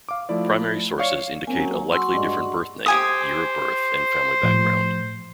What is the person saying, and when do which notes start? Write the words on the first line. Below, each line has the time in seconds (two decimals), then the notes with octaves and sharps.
Primary sources indicate a likely different birth name, year of birth and family background.
0.09 F5 D6
0.29 F3 A3 E4 D5
0.99 C#5 D5 F5 C#6 C7 C#7
1.47 F#3 A#3 C4 C#4 G#5
1.92 F#4 C6 E6
2.13 G2 G#3
2.86 G4 C5 G#5 D#6
4.43 A2 F3